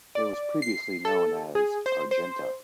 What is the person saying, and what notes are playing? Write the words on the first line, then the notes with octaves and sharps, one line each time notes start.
It was previously known as Argenta.
D5
C7
A4
G#4
C5
C5